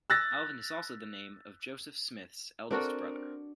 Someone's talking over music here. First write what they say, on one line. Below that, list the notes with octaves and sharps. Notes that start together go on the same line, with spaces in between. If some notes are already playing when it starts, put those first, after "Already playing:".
Alvin is also the name of Joseph Smith's eldest brother.
E6 F#6 A6 A#6
C4 D4 F#4 A4 A#4